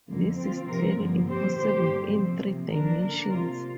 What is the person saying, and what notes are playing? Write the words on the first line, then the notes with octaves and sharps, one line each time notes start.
This is clearly impossible in three dimensions.
F2 D3 A#3
F3 C4 F4
C3 F3 C4 A#4
G2 D3 F3 A#3
A#2 F3 C4 G4 C5
D3 A#3 G4 C5
G2 D3 A#3
C3 F3 C4
C3 F3 A#3
D3 F3 D4 A#4
D3 A#3 D4 A#4
C3 A#3 F4